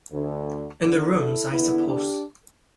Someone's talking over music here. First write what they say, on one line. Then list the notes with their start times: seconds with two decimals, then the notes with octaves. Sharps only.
In the rooms, I suppose?
0.10 D2 D3
0.81 E2 D3
1.16 E4 A4
1.51 E2 D3 B3 E4
1.85 D4 G4